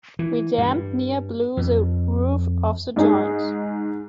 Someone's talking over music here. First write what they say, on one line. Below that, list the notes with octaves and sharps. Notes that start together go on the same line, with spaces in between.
We damned near blew the roof off the joint.
E3
G2
F2
G#2 D#4 G#4